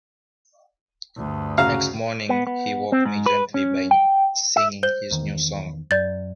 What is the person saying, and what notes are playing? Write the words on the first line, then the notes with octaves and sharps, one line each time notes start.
The next morning he woke me gently by singing his new song.
D2 G2
C#3 F#4 F5 A#5
B3
B3
C4
G#2
B4
C#4
G5
E5
C5 G6 G7
E2 D#3
F#2 D5 G6 A6